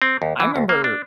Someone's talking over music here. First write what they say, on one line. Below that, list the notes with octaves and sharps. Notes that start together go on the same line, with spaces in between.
I remember
C4
D#2
E3
D2
A#3
D4